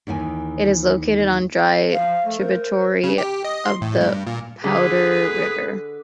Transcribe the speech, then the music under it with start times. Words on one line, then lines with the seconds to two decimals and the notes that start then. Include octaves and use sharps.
It is located on a dry tributary of the Powder River.
0.07 D#2 D#3 E3 G#5
1.93 F3 F5
2.25 A3
2.39 A#4 C5
3.04 C#3
3.18 G4
3.45 D#5
3.65 C6
3.82 A2
4.01 G2
4.27 A#2
4.64 D3 G#4 B4